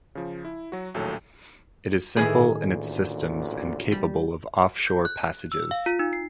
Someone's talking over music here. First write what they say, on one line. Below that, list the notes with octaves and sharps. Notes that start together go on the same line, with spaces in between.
It is simple in its systems and capable of offshore passages.
C#3 F3
E4
F#3 F#4
A#1 D#2 A2 F#3 A4
A2 D#3 E3 G#4 B5
A1 D2 A#2
G3
G6
F#6
E6
F5
F4
D#4
C7